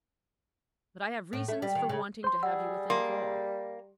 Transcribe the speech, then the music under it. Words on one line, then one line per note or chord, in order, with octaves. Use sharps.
But I have reasons for wanting to have you within call.
A2
A3
G3
D#3
C#3
C5 C6
G3 G#4 F#5 E6
A#3 C6